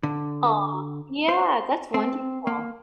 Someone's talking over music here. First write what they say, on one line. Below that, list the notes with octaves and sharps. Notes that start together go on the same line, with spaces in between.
Aw, yeah, that's wonderful.
D3
C5
C4
A#3